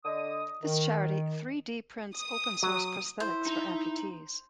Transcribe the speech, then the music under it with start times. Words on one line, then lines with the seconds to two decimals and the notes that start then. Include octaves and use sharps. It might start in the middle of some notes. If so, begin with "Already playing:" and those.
This charity three-d prints open source prosthetics for amputees.
0.05 D3 D#5 D#6
0.62 D#3
2.17 D#6
2.63 F#3
3.20 E4 C5
3.47 D#4 A#5